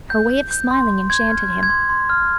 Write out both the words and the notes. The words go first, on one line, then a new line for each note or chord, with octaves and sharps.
Her way of smiling enchanted him.
G6
G6
G6
C6
C6
C6 G#6
F6
G#6
C6
G#6
C6
C6
F6